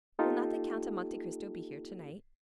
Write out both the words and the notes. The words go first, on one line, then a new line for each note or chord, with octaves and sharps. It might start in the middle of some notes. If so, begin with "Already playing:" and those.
"Will not the Count of Monte Cristo be here to-night?"
A#3 D#4 F4 G4 A4